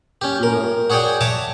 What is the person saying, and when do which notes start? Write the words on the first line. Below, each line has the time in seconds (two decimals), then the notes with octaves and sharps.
grew up
0.21 C#4 G4
0.43 A#4
0.90 F#4 G#4 C#5 D5 G5
1.21 C#5 E5 A5 A#5 D6